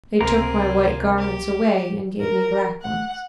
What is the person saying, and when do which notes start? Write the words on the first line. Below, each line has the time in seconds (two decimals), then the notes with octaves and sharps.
They took my white garments away and gave me black ones.
0.21 C#2 C3 A#3 C4 A#4 G#5
1.18 G4
2.20 A#4
2.82 F#5